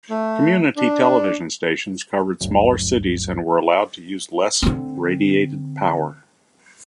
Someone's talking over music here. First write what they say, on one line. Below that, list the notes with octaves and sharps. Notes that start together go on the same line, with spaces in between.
Community television stations covered smaller cities and were allowed to use less radiated power.
A3
D4
G#1 D2 G2 F#3
D3 C4